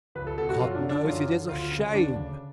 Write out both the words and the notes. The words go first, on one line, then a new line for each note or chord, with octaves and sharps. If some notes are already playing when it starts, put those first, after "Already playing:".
"God knows it is a shame!"
C#2 B4
A4
B2 A4
F#4
F#2 F4
D4
D3
D4
F#2 F4
D3
D2 F4
C#3
D2 D4
C#3